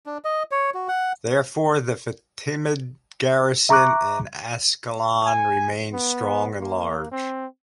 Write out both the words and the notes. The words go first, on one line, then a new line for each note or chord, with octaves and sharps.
Therefore, the Fatimid garrison in Ascalon remained strong and large.
D4
D#5
C#5
F#4
F#5
E5 A#5 C#6 D6 F#6
G#5
B3
A#3
C4